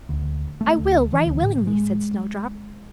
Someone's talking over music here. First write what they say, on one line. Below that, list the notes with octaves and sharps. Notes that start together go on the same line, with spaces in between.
"I will, right willingly," said Snowdrop.
D2
A3
D2
E3
D2
A2
G#3